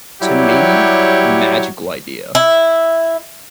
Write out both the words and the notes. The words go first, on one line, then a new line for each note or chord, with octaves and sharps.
to me, magical idea,
F#3 G3 E4 G4 C#5
E4